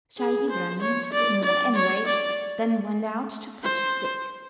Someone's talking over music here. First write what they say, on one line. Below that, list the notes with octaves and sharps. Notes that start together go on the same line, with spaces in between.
Scheih Ibrahim, still more enraged, then went out to fetch a stick.
G#4
C5
C#5
D5
D5
C#5
D5
C5